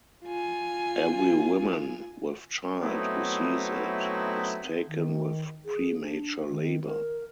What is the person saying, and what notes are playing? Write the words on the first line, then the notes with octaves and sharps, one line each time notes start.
Every woman with child who sees it is taken with premature labor.
F4 G#5
F#3 A3 B3 C4 D#4 E4
D#3
G#4
D4
D#3
A#4